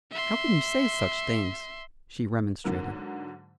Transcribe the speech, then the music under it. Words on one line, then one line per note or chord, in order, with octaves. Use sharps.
"How can you say such things!" she remonstrated.
E5 C6
G#2 D3 F#3 A#3